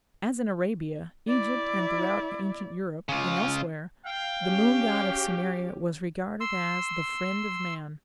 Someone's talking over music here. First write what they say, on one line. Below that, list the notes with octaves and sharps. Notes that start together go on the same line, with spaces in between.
As in Arabia, Egypt, and throughout ancient Europe and elsewhere, the moon god of Sumeria was regarded as the "friend of man".
E4 D5
C#3 F4
F5 G5
C#4 G4
C6 E6